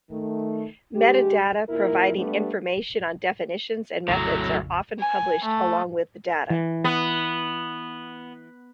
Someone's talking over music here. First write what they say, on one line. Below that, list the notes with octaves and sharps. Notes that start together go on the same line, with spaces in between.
Metadata providing information on definitions and methods are often published along with the data.
D#3 A3
D2 G#3 G4
D#2 A#2 E4 A#4
G3 A3 B3 D4 G4
A#1 F2 A2 C#3 F#3
G#5
A3
E3
B3